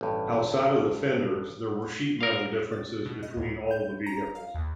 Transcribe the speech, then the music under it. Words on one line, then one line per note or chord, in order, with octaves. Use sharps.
Outside of the fenders, there were sheet metal differences between all the vehicles.
A1 G2
A#4 F5
A6
B2
D#5
D2
G6
A#5
F5
D#2